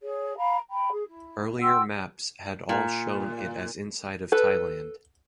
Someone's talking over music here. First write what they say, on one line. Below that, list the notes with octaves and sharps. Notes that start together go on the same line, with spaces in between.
Earlier maps had all shown it as inside of Thailand.
G#4 C#5
F5 A#5 B5
G5 A#5 B5
G#4
E4
F#5 G5 C6 E6
A#2
A4 B4